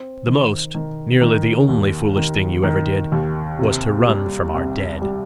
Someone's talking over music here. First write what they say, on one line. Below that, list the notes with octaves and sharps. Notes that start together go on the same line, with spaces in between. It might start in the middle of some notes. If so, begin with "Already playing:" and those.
"The most--nearly the only foolish thing you ever did, was to run from our dead."
Already playing: C4
D#3
D#3
D#3
D#2
D#3
D#3
D#2
C3
G3
C2
G3